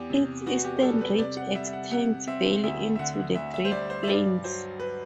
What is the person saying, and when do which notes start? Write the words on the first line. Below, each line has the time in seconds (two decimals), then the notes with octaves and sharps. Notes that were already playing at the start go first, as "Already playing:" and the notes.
Its eastern range extends barely into the Great Plains.
Already playing: E2 G4
0.10 C3
0.46 B3 F#4
0.65 G4
0.83 G3 A4
1.01 B4
1.19 C3 D5
1.37 F#5
1.55 G3 E5
1.67 E5
1.73 F#5
1.91 C3 F#5
2.27 C4 E5
2.63 D2 E5
2.96 E5
2.99 D3 F#5
3.35 D2 E5
3.54 E5
3.65 C5
3.72 G3 D5
3.90 C5
4.03 E5
4.08 G2 D5
4.44 F#3 C5
4.80 B4